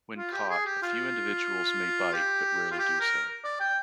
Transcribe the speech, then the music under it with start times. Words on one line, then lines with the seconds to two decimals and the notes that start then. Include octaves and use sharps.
When caught, a few individuals may bite, but rarely do so.
0.17 F4
0.32 G4
0.49 G#4
0.66 G4
0.82 F4
2.13 G4
2.71 F4
2.79 G4
3.00 A#4
3.44 D5
3.60 G5